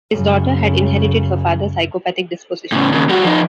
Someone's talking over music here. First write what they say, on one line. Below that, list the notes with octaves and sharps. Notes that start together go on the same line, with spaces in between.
His daughter had inherited her father's psychopathic disposition.
F#2 C#3
A2 C#3
D#2 C#3
G3 F#4
F3 D#4